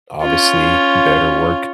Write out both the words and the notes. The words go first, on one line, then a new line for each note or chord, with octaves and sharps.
obviously, better work,
C#4 F4